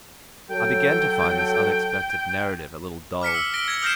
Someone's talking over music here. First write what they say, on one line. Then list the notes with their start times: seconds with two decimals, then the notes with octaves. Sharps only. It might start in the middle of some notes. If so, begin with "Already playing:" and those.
I began to find this unexpected narrative a little dull.
0.50 F#3 A4 G5
3.21 D6 F6 B6 C#7
3.34 E6
3.54 A#6 B6 D7 G7
3.68 G#6 A#6
3.82 D#6 F6 G6 A#6 C7 E7